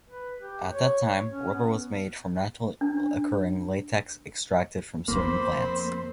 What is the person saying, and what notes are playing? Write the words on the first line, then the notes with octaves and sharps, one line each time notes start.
At that time rubber was made from naturally occurring latex extracted from certain plants.
B4
G4
C#5
C#5
C#4
B3
D4
F2 F3 A#3 C4 C5 B5